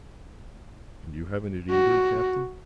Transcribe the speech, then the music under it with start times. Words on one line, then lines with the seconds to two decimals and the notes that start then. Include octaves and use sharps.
"And you haven't it either, captain?"
1.70 F#4